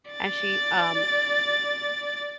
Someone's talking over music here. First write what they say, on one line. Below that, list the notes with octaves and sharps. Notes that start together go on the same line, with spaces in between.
and she, um,
D5 A6